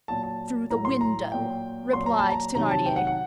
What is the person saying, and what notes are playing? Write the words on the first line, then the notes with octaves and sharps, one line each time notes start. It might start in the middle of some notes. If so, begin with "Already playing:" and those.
"Through the window," replied Thenardier.
A#2 F#3 A5
A5
A2 F#3 A#5
C6
A#5
A#2 F#3 G5
A#2 F#3 C6
A#5
A5
A#5
C3 D#3 F#3 A#5
A5
G5
F#5
F#5